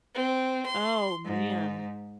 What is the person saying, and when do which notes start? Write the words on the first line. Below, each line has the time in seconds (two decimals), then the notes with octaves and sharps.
Oh, man.
0.15 C4
0.66 C6
1.25 G#2